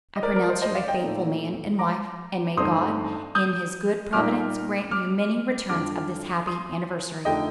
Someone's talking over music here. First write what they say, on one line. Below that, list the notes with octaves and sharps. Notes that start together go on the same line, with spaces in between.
"I pronounce you a faithful man and wife: and may God, in his good providence, grant you many returns of this happy anniversary."
D#5
A#4 D5
A#4 D5
C5 D#5
C5 D#5
D5 F5
D#5 G5
A#2 A3 C4 D#4
A#5 D6
G2 D3 A3 C4 D#4 C6 D#6
D#6 G6
A#2 G3 A#3 D#4 D6 F6
D6 F6
F2 D3 G3 D4 D6 F6
C6 D#6
F2 D3 A3 D#4 D#5 G5